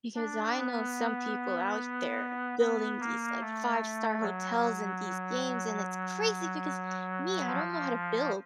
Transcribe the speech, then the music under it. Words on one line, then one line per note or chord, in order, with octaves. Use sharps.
because I know some people out there building these, like, five-star hotels and these games and it's crazy because me, I don't know how to build.
D4
B3
B3
A#3
A3
F#3
F3